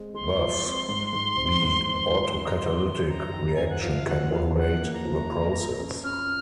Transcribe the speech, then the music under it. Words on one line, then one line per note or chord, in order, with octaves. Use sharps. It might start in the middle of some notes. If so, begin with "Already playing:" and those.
Thus, the autocatalytic reaction can modulate the process.
Already playing: G#3 C4
G#3 C6
F3
C4
G#2
G#2
C4
G#2
C4
F3
F#2 C6
A#5
F#3 C6
D#3
F#2 A#5
D#3
F#2 G#5
F#5
F3 F5
F3 F#5
F3 F5
F3 F#5
A#3
A#5
F3
F4
F4
C#4
C#4 F6